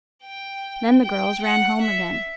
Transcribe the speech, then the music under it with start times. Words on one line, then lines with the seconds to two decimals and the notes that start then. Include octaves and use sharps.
Then the girls ran home again.
0.23 G5
1.02 G5
1.42 F#5
1.81 E5